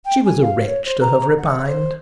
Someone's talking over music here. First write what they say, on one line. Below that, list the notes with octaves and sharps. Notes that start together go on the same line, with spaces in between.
She was a wretch to have repined.
G5
G#5
F5
C#5
C5
A#5
F#5
C5